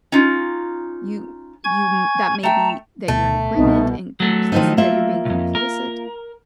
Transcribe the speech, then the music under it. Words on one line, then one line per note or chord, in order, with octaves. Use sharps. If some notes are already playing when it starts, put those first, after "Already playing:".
you you m that may be that you're in agreement and complic that you're being complicit.
C#4 D#4 F4
G#5 C#6 G#6
A3 G5 A5 A#5
D2 B2 A3
C2 B2 B3 D#4
F#3 A3
D#3 F3 D#4
A#3 F4 E5
B1 F2
A#4